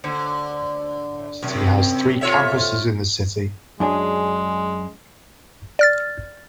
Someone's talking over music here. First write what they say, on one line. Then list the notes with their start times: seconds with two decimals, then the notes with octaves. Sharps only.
The university has three campuses in the city.
0.04 D2 D3 C5 C#5
1.43 F#2 C3
2.21 C3 F4 G4 A4 C#5 E5
3.80 F#2 G#3 D4 G#4
5.79 D5 F6 A6